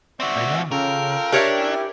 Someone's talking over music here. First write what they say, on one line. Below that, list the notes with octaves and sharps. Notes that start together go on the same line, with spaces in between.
Why not?
C4 F#4 D5 E5 C#6
C#3 F4 A4 A#4 G5
D4 G4 A#4 C#5 E5
C#4 E4 G#5